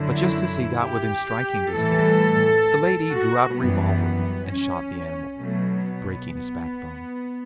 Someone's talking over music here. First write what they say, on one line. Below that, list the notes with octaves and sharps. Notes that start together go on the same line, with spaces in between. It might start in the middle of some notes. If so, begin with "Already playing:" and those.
But just as he got within striking distance, the lady drew out a revolver and shot the animal, breaking his backbone.
Already playing: F#2 D3 F#3 E4
G4
A2 E3 G3 A4
F#4
F#2 E3 G3 B3
C#4
B2 F#3 A3
B3